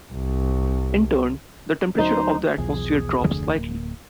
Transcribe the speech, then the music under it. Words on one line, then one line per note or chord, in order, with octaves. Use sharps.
In turn, the temperature of the atmosphere drops slightly.
C2
D2 F#3 D#4 C5
B1 E2 F3 G#4
F1 D2 D3
D1 A#3